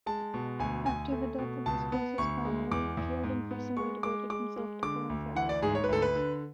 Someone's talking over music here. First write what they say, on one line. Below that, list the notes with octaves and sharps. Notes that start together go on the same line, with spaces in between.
After the death of his closest family, Caird increasingly devoted himself to philanthropic causes.
G#3 A5
B2
D2 G#5
D2 G#5
A3
B2
C#2 A5
B3
D2 C#6
G#3
E2 D6
E2
G#2
B3
G#3 C#6
G#3 D6
G#3 D6
G#3
D3 D6
D2
E3 F#5
D5
G#2 G#4
C#5
B4
D2 A4
B4
D3